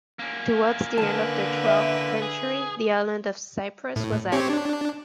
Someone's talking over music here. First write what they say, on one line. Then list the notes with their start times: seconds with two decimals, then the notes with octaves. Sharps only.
Towards the end of the twelfth century the island of Cyprus was added.
0.19 A#3 C#4
0.98 D3 A#4 B4 A5
1.66 E5
2.22 G#4
3.96 A2
4.32 C4 G4 C#5
4.50 D4